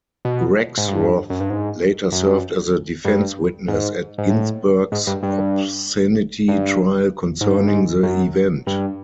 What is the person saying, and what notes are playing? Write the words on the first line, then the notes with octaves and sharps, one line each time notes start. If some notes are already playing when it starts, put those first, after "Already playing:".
Rexroth later served as a defense witness at Ginsberg's obscenity trial concerning the event.
B2
G#2
G2
F#2
G2
G#2
F#2
G2
G#2
G#2
A2
G#2
G2
G2
G2
G#2
G2
G#2
F#2
G2